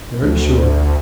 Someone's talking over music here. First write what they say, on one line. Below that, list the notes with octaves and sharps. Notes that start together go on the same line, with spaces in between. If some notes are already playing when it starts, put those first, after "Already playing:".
"Very sure!"
D2